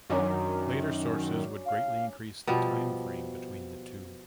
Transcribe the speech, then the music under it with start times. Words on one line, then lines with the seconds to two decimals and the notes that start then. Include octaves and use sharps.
Later sources would greatly increase the time frame between the two.
0.10 F#2 D#3 F#3 C#4 D4
1.66 F5
2.47 B2 F3 G3